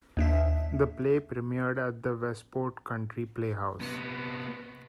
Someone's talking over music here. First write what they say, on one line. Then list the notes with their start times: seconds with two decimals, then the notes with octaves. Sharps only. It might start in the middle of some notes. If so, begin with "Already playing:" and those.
The play premiered at the Westport Country Playhouse.
0.17 D#2 D4 E5
3.80 C3 B3